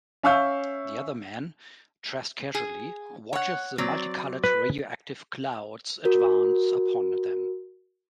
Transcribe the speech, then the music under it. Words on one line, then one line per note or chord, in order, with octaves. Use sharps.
The other man, dressed casually, watches the multicoloured radioactive clouds advance upon them.
C#4 E5 F5 C#6 E6 G6
G#4
C#5 F#5
F#3 C4 D5
B4
F#4 A#4